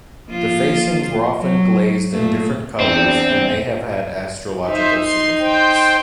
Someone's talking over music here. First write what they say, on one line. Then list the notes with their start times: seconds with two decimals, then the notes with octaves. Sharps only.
The facings were often glazed in different colors and may have had astrological significance.
0.28 F3 A#3 F4
1.37 F#3
2.11 A#2 A3
2.80 E2 C4 D4
4.67 D#4 C5 E5
5.00 C6
5.39 C5 G5